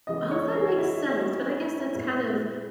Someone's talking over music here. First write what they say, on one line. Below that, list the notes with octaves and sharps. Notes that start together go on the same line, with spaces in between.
All that makes sense, but I guess that's kind of,
C#3 E3 G#3 B3 D#5
C#5
G#4
E4
A#2 G#3 B3 E4